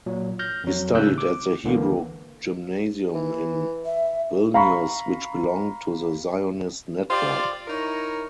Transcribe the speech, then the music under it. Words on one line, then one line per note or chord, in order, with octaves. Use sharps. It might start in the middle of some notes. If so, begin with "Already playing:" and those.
He studied at the Hebrew Gymnasium in Vilnius which belonged to the Zionist network.
A#2 F#3
F6 G6 A#6
F2 F#3
C#2 A2 C#3 E6 F#6 G6
D6
C#2 D3 E3 A#3
E3
E5
F5 A#5 B5 C#6
F4 G4 C5 D5
D#4 E4 A#4 C#5